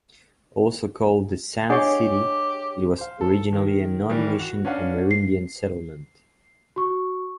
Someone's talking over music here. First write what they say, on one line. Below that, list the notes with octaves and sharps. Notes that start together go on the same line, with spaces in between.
Also called "The Sand City", it was originally a non-Mission Amerindian settlement.
D4 G4 G#4 C#5 D#5 F#5
C5 F5
A4
D#3
D#3 E3 G3
F#4
C#4 D4 B4 F5 F#5
C7
F#4 C#6